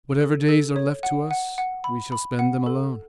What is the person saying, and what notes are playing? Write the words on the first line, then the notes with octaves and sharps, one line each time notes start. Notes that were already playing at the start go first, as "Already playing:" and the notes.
Whatever days are left to us, we shall spend them alone.
A4
A4
C#5
F#5
F#5
F#5
B5
B5
F#5
A4